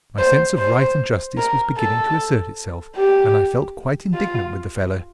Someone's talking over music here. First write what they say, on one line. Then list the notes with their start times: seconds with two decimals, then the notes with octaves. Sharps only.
My sense of right and justice was beginning to assert itself, and I felt quite indignant with the fellow.
0.19 C5
0.59 C5
1.38 A#4
1.77 A4
2.96 G4
4.15 F4